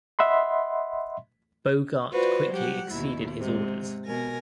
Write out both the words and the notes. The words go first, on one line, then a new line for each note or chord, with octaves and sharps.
Bogart quickly exceeded his orders.
D#5 E5 F#5 B5 C6
F4 F#4 B4 C5 D5
F#3 G3 G4 F#5
D#2 B2 E4
G#2 C3
B2 A#4 G#5 A#6